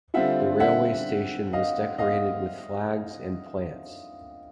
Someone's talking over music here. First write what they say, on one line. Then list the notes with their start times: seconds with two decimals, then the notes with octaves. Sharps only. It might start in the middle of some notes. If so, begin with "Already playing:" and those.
The railway station was decorated with flags and plants.
0.14 D3 G3 C4 F4 E5 F#5
0.60 E5 F#5
1.53 D#5 F5
1.98 D#5 F5